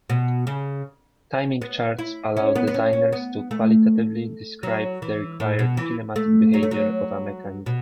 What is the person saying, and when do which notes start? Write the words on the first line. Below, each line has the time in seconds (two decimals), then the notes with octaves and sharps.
Timing charts allow designers to qualitatively describe the required kinematic behavior of a mechanism.
0.10 B2
0.47 C#3
1.62 B3
1.99 E4
2.37 C#4
2.55 B3
2.67 B3
2.74 C#4
2.93 C#4
3.12 B3
3.51 A3
4.63 F#3
5.02 E3
5.40 A2
5.59 B2
5.77 E3
6.16 A3
6.54 F#3
6.63 A3
6.71 F#3
7.66 B2